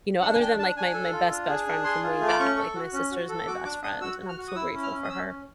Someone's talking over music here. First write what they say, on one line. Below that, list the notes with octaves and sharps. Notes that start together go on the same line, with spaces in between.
You know, other than like my my best best friend from way back, like my sister is my best friend and I'm so grateful for her.
D4 F#5
G#5
D4 G5
D4 A5
D4 G#5
A4
F4
D4
G#4
D4
G#4 C6
F4
A3
D6
C#4 C#6
A4
F#4
C#4
F#4
A4
F#4 D6
D4 D6
D4 D#6
F#4 E6
F#4
F6
F#4
D#6
E4 E6
C#4
F6
C#4
D#6
C#4 E6
C#4